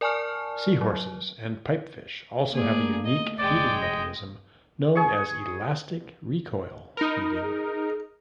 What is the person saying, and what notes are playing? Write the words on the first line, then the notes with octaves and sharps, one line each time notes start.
Seahorses and pipefish also have a unique feeding mechanism, known as elastic recoil feeding.
A#4 D5 G#5 A5 C#6 F6
F#3
A3 A#3 G#4 D5
D#5
F1 G#3 D5 G5
D#5
G#4 C#6
D#4 A#4 B5
G#4